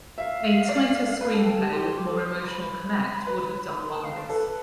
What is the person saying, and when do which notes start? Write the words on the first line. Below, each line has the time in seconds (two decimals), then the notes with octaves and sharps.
A tighter screenplay with more emotional connect would have done wonders.
0.18 E5 F5
0.69 D5
1.21 B4 F5
1.34 A4
1.37 G5
1.46 A4
1.55 G4 A5
1.72 G4 C6
1.90 G4
1.98 D6
2.06 A4
2.12 D6
2.24 C5 C6
2.44 A5
2.49 B5
3.27 B4
3.77 C6
3.90 A5
4.03 F5
4.17 D5
4.29 A4 B4